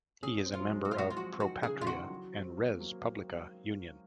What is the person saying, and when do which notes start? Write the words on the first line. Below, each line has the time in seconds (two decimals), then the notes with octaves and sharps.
He is a member of Pro Patria and Res Publica Union.
0.23 C#4 G#4
0.46 C4
0.53 F4
0.60 F#3
0.69 G#3
0.85 F#4
0.91 F4
0.98 F#4
1.10 F4
1.16 F3 F#4
1.40 D#3 F#4
1.63 C#3 G#4
1.82 F4
1.86 D#3 F#4
2.10 F#3
2.33 C4
2.57 A#3
2.80 F#3